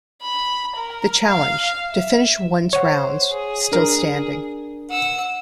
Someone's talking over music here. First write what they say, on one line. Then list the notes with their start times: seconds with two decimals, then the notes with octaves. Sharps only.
The challenge: to finish one's rounds still standing.
0.22 B5
0.76 A#4
1.28 F5
1.89 E5
2.73 C5 C#5 F#5
3.32 G#4
3.72 D4 A#4
4.90 F#5 E6